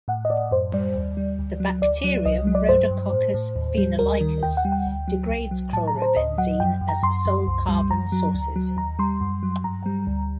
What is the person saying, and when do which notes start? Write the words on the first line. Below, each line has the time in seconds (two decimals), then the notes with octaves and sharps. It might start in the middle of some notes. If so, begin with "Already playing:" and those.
The bacterium "Rhodococcus phenolicus" degrades chlorobenzene as sole carbon sources.
0.08 A2 F#5
0.25 D#5
0.30 A2 D5
0.51 F#2 C5
0.73 G3 D5
0.95 D#2
1.17 G3
1.39 D2
1.60 F#3
1.82 D2 D5
2.04 F#3
2.26 C2 D#5
2.47 F#3
2.55 D5
2.69 G2 C5
2.91 G2
3.13 A2
3.34 A2
3.56 D#2
3.78 G3
3.99 D2 A#4
4.21 D#3
4.43 D#2 G5
4.57 F#5
4.65 G3
4.72 G5
4.86 D2
5.08 F#3
5.29 C2
5.51 F#3
5.73 A2 A5
5.87 A#5
5.95 A2
6.02 C5
6.16 D2 D#5
6.38 F#3 F#5
6.60 F#2 G5
6.81 F#2
6.89 A#5
7.03 F#2 C6
7.26 F#2
7.47 C2
7.69 G3
7.90 F#2 A#5
8.12 F#3
8.34 D2
8.56 F#3
8.77 D#2 A#5
8.99 G3 C6
9.21 F#2
9.43 F#3
9.64 G2 A#5
9.86 G3
10.07 D2